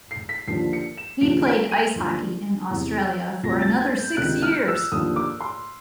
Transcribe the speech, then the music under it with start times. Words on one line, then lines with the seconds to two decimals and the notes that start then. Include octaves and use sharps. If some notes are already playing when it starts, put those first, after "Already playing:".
He played ice hockey in Australia for another six years.
0.11 C7
0.29 B6
0.47 D#2 D3 F3 C7
0.73 C#7
0.98 E7
1.21 D#2 C#3 F3 D7
1.46 D7
1.71 D#7
1.96 D#2 D3 F3
2.69 E2 C3 E3
3.43 D2 C3 F3 A#6
3.62 A6
3.81 G#6
3.98 G6
4.17 C#2 C3 D#3 F#6
4.42 F6
4.67 E6
4.92 D#2 D3 F3 D#6
5.16 D6
5.41 C6